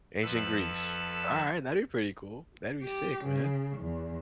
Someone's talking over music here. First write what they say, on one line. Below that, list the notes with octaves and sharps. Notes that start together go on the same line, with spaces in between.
Ancient Greece, all right, that'd be pretty cool. That'd be sick, man.
F2 A4 B4 E6 F#6
G4
C#3
E2